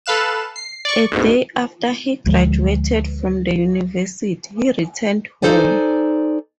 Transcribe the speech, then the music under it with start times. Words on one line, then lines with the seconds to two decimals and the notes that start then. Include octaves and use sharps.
A day after he graduated from the university, he returned home.
0.06 A4 B4 F5 F#6 E7
0.56 C7
0.85 D5 C#6
1.12 D2 G#2 B2
2.26 D2 F3 G#3
5.42 D#4 F4 A4 C5 D5 G#5